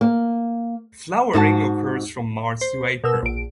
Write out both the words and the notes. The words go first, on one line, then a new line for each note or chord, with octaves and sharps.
Flowering occurs from March to April.
A#3
G#2 E4 F#4 A5
C5
B2 A#4 E6
A#1 D7